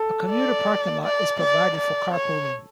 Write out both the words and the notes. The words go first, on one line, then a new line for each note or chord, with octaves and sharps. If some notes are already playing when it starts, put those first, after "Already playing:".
A commuter parking lot is provided for carpooling.
Already playing: A4
D5
D5
D5
D5
C#5